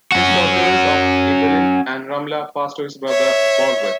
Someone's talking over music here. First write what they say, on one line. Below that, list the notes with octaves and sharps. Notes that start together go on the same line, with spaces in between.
His territories of Ibelin and Ramla passed to his brother Baldwin.
C#4 F#4
C#5 E5